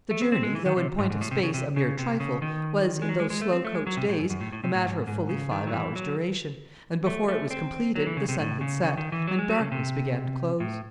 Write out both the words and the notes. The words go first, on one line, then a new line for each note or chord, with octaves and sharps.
The journey, though in point of space a mere trifle, was, in those slowcoach days, a matter of fully five hours' duration; and before it was completed the sun had set, and darkness began to close.
A3
C4
C4
G#3
E3
D#3
C3
G#2
G#2
A2
C3
C#3
C3
C#3
C3
C#3
D#3
G#3
F#3
G#3
G#3
A3
C4
A3
G#3
F#3
C3
A2
F#2
F#2
A2
A2
C3
A2
G#2
G#2
C#3
D#3
F#3
E3
F#3
A3
A3
C4
F#3
E3
C#3
C3
A2
C#3
C#3
D#3
E3
F#3
G#3
F#3
C#3
C3
A2